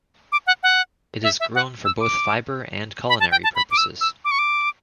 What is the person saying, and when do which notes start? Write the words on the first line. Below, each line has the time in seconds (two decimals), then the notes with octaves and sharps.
It is grown for both fiber and culinary purposes.
0.32 D6
0.47 F#5
0.63 F#5
1.24 E5
1.40 E5
1.55 F#5
1.85 E6
2.00 D6
3.09 B5
3.20 A5
3.31 G5
3.44 A5
3.55 B5
3.71 D6
3.77 E6
4.01 E6
4.25 D6
4.31 C#6
4.39 D6